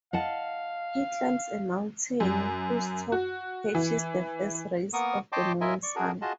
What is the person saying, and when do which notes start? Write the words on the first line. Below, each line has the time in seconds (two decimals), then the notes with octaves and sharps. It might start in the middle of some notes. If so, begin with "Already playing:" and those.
He climbs a mountain whose top catches the first rays of the morning sun.
0.13 D#5 F5 F#5 A5
2.20 F#2
3.12 F#4
3.75 E3
4.93 A#3 B3 A#4 C#6 D#6
5.32 C#5 D#5 G5 A5 C6 D6
5.61 E4 F4 A#4 D#5 E5 G#5
5.83 D5 C#6
5.96 D4 F#4 G#4 A#4
6.22 F4 F#4 G#4 D#5 A5